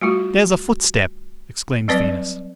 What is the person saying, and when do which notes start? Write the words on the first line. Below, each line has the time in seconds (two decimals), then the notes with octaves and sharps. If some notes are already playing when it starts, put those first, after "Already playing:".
'There's a footstep!' exclaims Venus.
0.01 G3 A3 F4 F#4
1.88 F#3 G3 C4 B4 D5